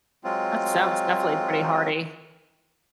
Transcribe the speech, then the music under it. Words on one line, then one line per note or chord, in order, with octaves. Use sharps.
that sounds definitely pretty hearty.
F#3 G#3 C4 F4